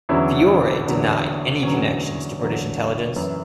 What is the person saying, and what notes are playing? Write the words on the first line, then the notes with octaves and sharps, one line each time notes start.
Fiore denied any connections to British intelligence.
E2 D3 F#3 C#4 E4
E2 D3 F#3
E2 D3 F#3 C#4
E2 D3 F#3
F#2 E3